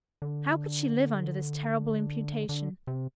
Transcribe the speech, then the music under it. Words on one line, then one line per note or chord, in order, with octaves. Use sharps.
How could she live under this terrible imputation?
D3
D3
C3